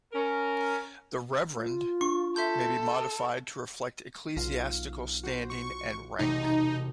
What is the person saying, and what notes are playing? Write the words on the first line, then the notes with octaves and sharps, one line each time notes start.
"The Reverend" may be modified to reflect ecclesiastical standing and rank.
C#4 A#4
F4
D4 C#6
A4 E5 C6 G6
B1 F4
F#4 C5
C#6
E1 C3 A3 D#4